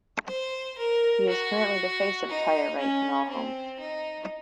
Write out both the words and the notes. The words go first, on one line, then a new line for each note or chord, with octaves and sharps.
He is currently the face of Tyreright and Allhomes.
C5
A#4
F#4
D#4
C#4
C4
D#4